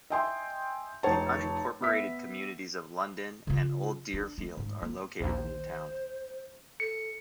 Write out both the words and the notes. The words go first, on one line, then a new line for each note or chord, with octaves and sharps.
The unincorporated communities of London and Old Deerfield are located in the town.
D#5 E5 G5 G#5 C6
F1 D#4 C#5 A5
B3 E5 B6
C#3 F4
D4
A3
G#2
A#3
A#1 D#2 C5
A4 C#7